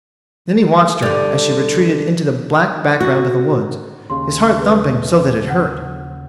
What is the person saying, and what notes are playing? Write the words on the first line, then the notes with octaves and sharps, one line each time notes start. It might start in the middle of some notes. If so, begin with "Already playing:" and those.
Then he watched her, as she retreated into the black background of the woods, his heart thumping so that it hurt.
D3 G3
F#4
D#2 C#3 C6
G#4 B4
F#5